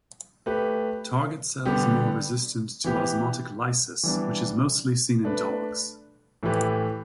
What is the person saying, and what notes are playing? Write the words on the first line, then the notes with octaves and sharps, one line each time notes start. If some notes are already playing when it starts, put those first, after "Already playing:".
Target cells are more resistant to osmotic lysis, which is mostly seen in dogs.
A3 G4 B4
D3 G3 B3 G4
E3 B3 G4
E3 G3 B3 D4
A3 D4 B4
A2 E3 A3 G4 B4